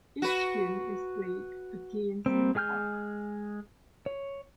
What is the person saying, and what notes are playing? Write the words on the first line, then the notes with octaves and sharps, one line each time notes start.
Each game is played against the clock.
F#4 B4
G3 A#3 C4
G#3 G#4 G#5 F6 G6
C#5